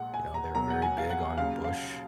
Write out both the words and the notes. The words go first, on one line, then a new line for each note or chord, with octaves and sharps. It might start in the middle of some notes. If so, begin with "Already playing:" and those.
you know, they were very big on Bush.
Already playing: A#1 A#2 G#3 F#5
G#5
A#5
B1 B2 F#3 A#3 A#5
F#5
G#5
F5
F#5
D#2 C#3 F#3 F5
F5